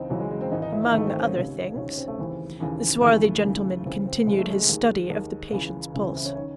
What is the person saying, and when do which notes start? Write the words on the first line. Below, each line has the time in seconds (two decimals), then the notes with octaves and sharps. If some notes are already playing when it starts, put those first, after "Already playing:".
"Among other things." The swarthy gentleman continued his study of the patient's pulse.
Already playing: C#2 C#3 E3 C4 D#4
0.10 C#2 C#3 E3 F#3
0.20 G#3
0.31 G#3
0.41 C4
0.52 G#1 G#2 E3 D#4
0.62 D#4
0.72 E4
0.83 D#4
0.93 G#1 G#2 E3 A3
1.07 C4
1.21 C#4
1.35 C#2 C3 D#3
1.76 C#2 C3 D#3 C#4
1.92 C#4
1.97 C4
2.08 A3
2.19 D#2 C#3 E3 C4
2.60 D#2 C#3 E3
3.01 D#2 C#3 E3 A3
3.44 D#2 C#3 E3
3.85 C#2 C#3 E3 C4
4.06 C4
4.27 C#2 C#3 E3 G#3
4.39 A3
4.50 G#3
4.69 D#2 D#3
5.10 D#2 D#3
5.52 C#2 C#3 E3
5.94 C#2 C#3 E3
6.04 C4
6.15 E4
6.25 C#4
6.35 D#3 C#4